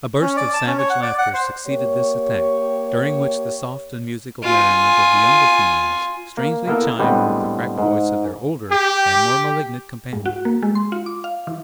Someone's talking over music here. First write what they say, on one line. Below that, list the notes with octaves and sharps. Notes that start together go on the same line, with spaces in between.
A burst of savage laughter succeeded this attack, during which the soft and musical merriment of the younger females strangely chimed with the cracked voice of their older and more malignant companion.
C#4
D5
A5
C#4
C#5
F#5
D5
F#5
C5
A#3 G4 C#5
F4 G#5
A#3
A#3 B3 E4 A4 A#4
A2 D3 G3 G#3 B3 C4
G#2
G4
G#2
F#4
A#3
G#3
C6
F4
D6
F5
E3